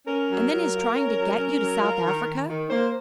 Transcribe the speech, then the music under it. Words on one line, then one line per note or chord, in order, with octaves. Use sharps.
And then his trying to get you to South Africa.
C#4 A#4
F#3
F#3
F4
C#4
F#3
C#4
F#3
F4
D#3
D#3
D#3
A#3 C5